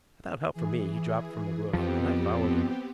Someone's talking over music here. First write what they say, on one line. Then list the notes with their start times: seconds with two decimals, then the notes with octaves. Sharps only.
Without help from me he dropped from the roof, and I followed him.
0.53 E3 G#4
1.73 F2 F3 B3 C4 G4